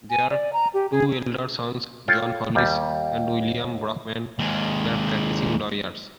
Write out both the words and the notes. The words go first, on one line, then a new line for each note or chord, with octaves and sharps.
Their two elder sons, John Hollis and William Brockman, were practicing lawyers.
G#5
D5
A#5
G4
G#4
F4 A4 C#5 G5
D#2 G3
D#2 G#3